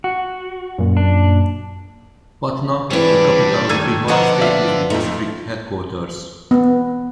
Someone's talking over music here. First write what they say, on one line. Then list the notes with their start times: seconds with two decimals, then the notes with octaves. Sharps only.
Patna, the capital of Bihar state is the district headquarters.
0.04 F#4
0.78 F#2 A#2
0.97 D4
2.90 E3 G3 C4 D4 G#4 B4
3.69 D#3 A3 E6 G#6 D#7
4.08 D3 F3 B3 C5 D#5 F#5 A#5
4.41 D5 E5 F5
4.90 F2 F3 A3 D#4
6.51 B3